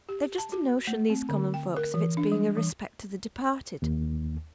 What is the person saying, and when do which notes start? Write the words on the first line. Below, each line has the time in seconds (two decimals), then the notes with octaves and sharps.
They've just a notion, these common folks, of its being a respect to the departed.
0.09 G4
0.38 A5
0.52 F#4
0.87 A3
1.10 C4
1.29 D3
1.54 G5
1.76 A#4
1.94 E3
2.17 D4
2.32 G3
2.57 E3
3.82 D#2